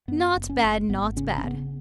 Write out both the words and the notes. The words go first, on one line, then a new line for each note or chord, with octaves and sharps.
Not bad, not bad.
F#2 B3
F#1
C#4
F#1
G#1 B3
C#3 C#4
C#4
C#3 B3